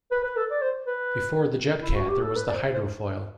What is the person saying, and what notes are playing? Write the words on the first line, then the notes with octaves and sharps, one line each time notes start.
Before the JetCat there was the hydrofoil.
B4
B4
A4
D5
C5
B4
E4
F#4
G4
A4
B4
D5
C5
C5